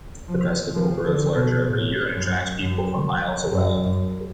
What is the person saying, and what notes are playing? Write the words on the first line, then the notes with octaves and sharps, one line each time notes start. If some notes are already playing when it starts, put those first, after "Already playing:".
The festival grows larger every year and attracts people from miles away.
F3
F3
D3
B2
A2
F#2
F#2
F#2
F#2